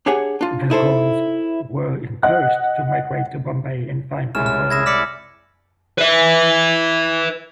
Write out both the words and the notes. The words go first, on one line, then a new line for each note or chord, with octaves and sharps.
The Goans were encouraged to migrate to Bombay and find employment.
D4 G4 G#4 C#5 F#5 G#5
D4 F4
D#4 E4 A4 C5
D#5 F#5 F#6
C2 G#3 C#4 E4 F6 E7
F6
E4 G#4 G#6 A#6 E7
D5 F6 B6 C#7
B4 E5